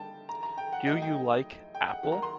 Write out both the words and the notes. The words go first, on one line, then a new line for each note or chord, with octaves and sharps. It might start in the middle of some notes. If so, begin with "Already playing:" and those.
Do you like apple?
Already playing: D3 G3 A#3 D#4 G5 A5
A#5
A#5
G5
F#5
F#3 A3 D#4 D#5
G5
G5
F#5
D#3 F#3 A#3 F#5
A#5
C6